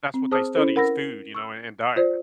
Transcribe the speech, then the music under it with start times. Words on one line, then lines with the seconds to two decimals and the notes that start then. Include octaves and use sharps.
that's what they study is food, you know, and, and diet.
0.14 C4
0.31 G#4 C5 A5 D6 D#6 F6
0.55 C#4 E4 A4 C5
0.76 A#4 F#5 B5 E6 A#6
1.35 C#6 E6
1.96 F4 C5 D5